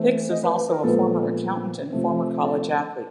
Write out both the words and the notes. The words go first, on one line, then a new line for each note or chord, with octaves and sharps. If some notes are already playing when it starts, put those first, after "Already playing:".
Hicks is also a former accountant and former college athlete.
Already playing: E3 A3 C4
D#5
B4
B4
A#4
A#2 F3 G#3 B3 A4
C3 F3 A3 C4
A4